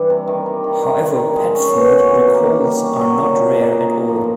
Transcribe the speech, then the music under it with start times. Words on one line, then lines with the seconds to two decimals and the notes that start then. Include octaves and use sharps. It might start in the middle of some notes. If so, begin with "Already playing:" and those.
However pet food recalls are not rare at all.
Already playing: G2 E3
0.10 C3
0.28 D#3
0.46 G3
0.64 D#3
0.82 D#3
1.01 D#3
1.19 D#3
1.36 G#3
1.55 C#4
1.72 B2
1.91 F#4
2.09 E3
2.28 A#3
2.45 A#3
2.63 G3
2.82 C#4
2.99 F#3
3.18 A#2
3.37 A#2
3.55 A#3
3.73 D#4
3.90 D#4
4.09 F3